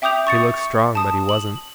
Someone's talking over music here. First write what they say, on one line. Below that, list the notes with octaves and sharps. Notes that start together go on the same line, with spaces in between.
He looked strong, but he wasn't.
E5 G5 D6 D#6 G6 F7
C#6 A6 C#7
A5 D#6
F#7